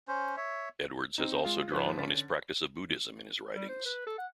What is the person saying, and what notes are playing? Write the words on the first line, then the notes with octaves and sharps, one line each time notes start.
Edwards has also drawn on his practice of Buddhism in his writings.
C#4 C5
C#5 E5
C4 D#4
G#3 F4 F5
G#2 F3 B4
D3 C#4 A6 B6
G3
C5
B4
A4
F#5